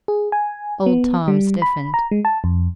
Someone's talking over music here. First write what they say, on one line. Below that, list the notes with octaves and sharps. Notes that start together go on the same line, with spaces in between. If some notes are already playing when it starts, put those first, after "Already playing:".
Old Tom stiffened.
G#4
G#5
B3
G3
B5
A#5
G#3
A5
F2